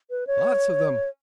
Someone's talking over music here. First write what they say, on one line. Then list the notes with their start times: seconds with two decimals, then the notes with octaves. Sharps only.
Lots of them.
0.10 B4
0.27 C#5